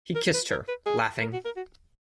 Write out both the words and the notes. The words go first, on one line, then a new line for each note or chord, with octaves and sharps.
He kissed her, laughing.
A#4
B4
A#4
B4
G#4
A#4
F#4
A#4
F#4